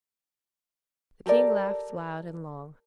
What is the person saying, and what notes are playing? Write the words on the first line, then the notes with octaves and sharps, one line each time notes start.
The king laughed loud and long.
G4 A4 A#4 D5